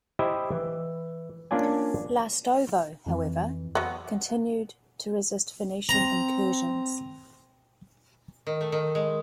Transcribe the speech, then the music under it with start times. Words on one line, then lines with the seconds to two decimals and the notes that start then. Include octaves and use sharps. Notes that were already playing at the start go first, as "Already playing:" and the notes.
Lastovo however, continued to resist Venetian incursions.
0.19 E4 G4 C5 D#5 E5
0.52 E3
1.51 A#3 C#4 D4 F4 D5 G#5
3.06 F2 E3
3.75 F#3 B3
5.89 C4 A#5
8.47 D#3
8.61 A3
8.72 D#3
8.95 G#3